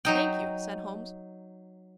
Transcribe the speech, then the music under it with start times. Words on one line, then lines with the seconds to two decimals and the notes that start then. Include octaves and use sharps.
"Thank you," said Holmes.
0.05 F#3 D#4 G5